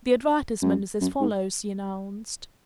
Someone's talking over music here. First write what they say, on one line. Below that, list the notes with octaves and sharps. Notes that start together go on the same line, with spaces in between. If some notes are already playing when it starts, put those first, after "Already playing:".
"The advertisement is as follows," he announced.
F#2
F#2
G#2